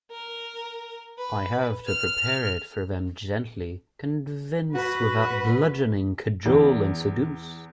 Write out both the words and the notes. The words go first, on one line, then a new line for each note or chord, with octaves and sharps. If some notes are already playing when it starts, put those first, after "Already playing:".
I have to prepare it for them gently, convince without bludgeoning, cajole and seduce.
A#4
B4
F6
F#4 B4
E2